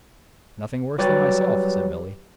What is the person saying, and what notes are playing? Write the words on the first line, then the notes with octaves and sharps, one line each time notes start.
"Nothing worse than myself," said Billy.
F#3 G3 G4 B4 C#5 D5